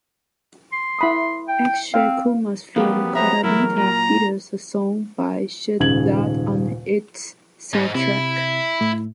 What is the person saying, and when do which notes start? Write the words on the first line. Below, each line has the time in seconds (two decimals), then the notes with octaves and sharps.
Akshay Kumar's film "Khatta Meetha" features a song by Shehzad on its soundtrack.
0.72 C6
0.99 E4 B5 D#6
1.48 G5
1.94 C4 F5
2.76 F2 F#3 A#3 B3 G4
3.15 B3 C5 C#5 E5 A#5
3.44 E2 A2 F#3 E4 A#4
3.77 A#2 A#5
5.79 D#1 G#2 C#3 G#6 F#7
7.73 G#2
7.95 C3 E4
8.81 A2